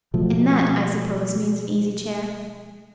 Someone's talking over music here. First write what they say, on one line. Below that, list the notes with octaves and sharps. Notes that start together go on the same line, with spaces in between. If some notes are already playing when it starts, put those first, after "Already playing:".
"And that, I suppose, means an easy-chair?"
B2 F3 A3